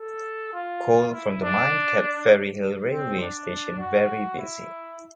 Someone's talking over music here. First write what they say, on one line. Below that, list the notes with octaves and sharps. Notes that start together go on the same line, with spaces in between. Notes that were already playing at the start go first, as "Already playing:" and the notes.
Coal from the mine kept Ferryhill railway station very busy.
Already playing: A4
F4
E4
D4
C4
D4
F#4
E4